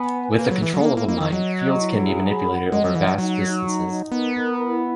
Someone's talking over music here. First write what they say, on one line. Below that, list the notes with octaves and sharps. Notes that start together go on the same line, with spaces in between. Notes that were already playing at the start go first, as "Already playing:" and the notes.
With the control of a Mind, fields can be manipulated over vast distances.
Already playing: B3 G#5
B4
A#3 B4
F#3
E3 B4
F#3
B3
A#3 E4
A#3
A#3 D#5
D#3
F#3 D#5
D#5
E4
G#4
B5
F#5
G#3 D#5
F#3
E3 F#5
F#3
F#3 D#4
D#4
D#4
D#4
B3 A#4
A#4
E4